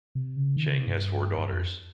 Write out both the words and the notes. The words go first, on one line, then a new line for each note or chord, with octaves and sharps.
Cheng has four daughters.
C3
C#3
D#3
C#3
C3
G2
G2
F2